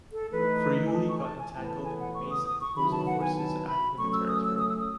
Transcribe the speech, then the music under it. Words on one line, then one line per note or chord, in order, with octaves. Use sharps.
Friuli got entangled in the maze of opposing forces acting in the territory.
A4
E3 A3 D#4 B4
G#5
A5
C#6
G#5
A5
G#5
A2 E3 B3 A5
A5
G#5
F#5
C#6
D#6
D#6
C#6
D#3 F#3 B3 E4 B5
A5
F#5
G#5
A5
B5
F#3 A3 C#4 C#6
E6
D#6
E6
D#6
E6
D#6